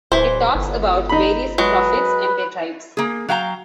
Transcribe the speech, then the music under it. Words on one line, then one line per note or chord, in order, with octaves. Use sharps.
It talks about various prophets and their tribes.
D1 E3 C5
G1
D#4 B5
F#3 G#3 B4
A#3 G#4
F#3 F5 G5 A#5